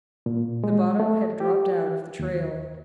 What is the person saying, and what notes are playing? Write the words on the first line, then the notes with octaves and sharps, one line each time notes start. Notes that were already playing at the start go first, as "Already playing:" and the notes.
The bottom had dropped out of the trail.
A#2
G#3
A3
G4
D#2